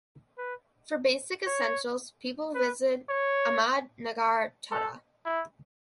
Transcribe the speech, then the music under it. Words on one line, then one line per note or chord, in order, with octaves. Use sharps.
For Basic Essentials People visit Ahmad Nagar Chattha.
B4
C#5
B4
C#5
A4
E4